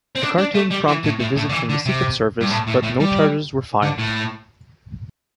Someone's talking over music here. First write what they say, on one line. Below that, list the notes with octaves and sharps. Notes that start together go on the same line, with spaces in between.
The cartoon prompted a visit from the Secret Service, but no charges were filed.
C4
D4
D4
A3
G3
E3
A2
A2
A2
D3
E3
D3
C3
G2
A2
A2
A2
G3
D3
A2